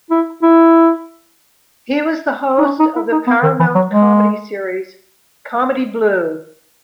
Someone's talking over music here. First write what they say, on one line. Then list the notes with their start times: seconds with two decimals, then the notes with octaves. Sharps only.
He was the host of the Paramount comedy series "Comedy Blue".
0.11 E4
0.42 E4
2.58 D#4
2.64 C#4
2.79 D#4
2.96 E4
3.12 D#4
3.27 B3
3.43 D#3
3.59 E3
3.75 F#3
3.91 G#3